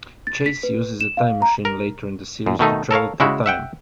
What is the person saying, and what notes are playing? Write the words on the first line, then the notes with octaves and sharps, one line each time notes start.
Chase uses a time machine later in the series to travel through time.
A6
B6
B4
E7
F5
A#5
A#4
F#2
B2 D#3 A3 D#4
A4 A#4 C#5 F5
C#3 G#3 E4 F#4
E5 F#5 G5